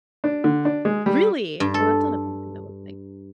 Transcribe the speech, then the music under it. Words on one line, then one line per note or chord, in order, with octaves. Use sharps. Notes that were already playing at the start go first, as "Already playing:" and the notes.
Really? Well, that's not a bad thing to look like.
D4
D3
D4
G#3
G3
G2
A4